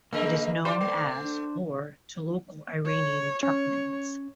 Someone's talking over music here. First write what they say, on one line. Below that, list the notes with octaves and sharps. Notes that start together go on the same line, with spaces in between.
It is known as or to local Iranian Turkmens.
C#3 G#3 A#3 A#4 B4 D#5
E4 F4 G4 C5 D5 D6
A3
D4
C#5
C#4 C#5